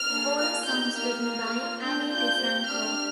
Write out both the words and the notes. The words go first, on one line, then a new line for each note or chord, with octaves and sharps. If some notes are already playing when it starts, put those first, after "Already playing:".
All songs written by Ani DiFranco.
Already playing: F6
A#3 D4 G#4
A#3 F4 G#4 F6
A#3 D#4 G4 G6
A#3 D#4 G4 F6
A#3 F4 G#4 F6
A#3 F4 G#4
D4 G#4 G6
D4 F4 G#4 G6
C4 G4
D4 G4 F6